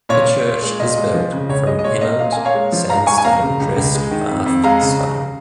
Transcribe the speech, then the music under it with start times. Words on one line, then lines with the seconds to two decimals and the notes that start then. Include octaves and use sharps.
The church is built from Pennant sandstone dressed Bath stone.
0.09 A#2 C#5
0.27 A#2
0.45 A#2
0.63 G#3
0.79 A#2 D#5
0.97 G#3
1.14 F3
1.33 C#3
1.49 C#2 C#5
1.67 G#3 D#5
1.79 D#5
1.84 A#2 C#5
2.01 A#3 D#5
2.19 A#2 F5
2.32 A#3 G#5
2.45 C#5 F5
2.54 G#3
2.72 F3
2.90 G#2 F5 A#5
3.07 G#2 G#5 C#6
3.18 G#5
3.24 A#3 F5 A#5
3.42 C#3
3.60 C#2
3.76 C#2
3.94 G#3
4.11 D#3
4.29 F2
4.46 F2
4.63 G#3 F5 A#5
4.81 C#3
4.99 D#2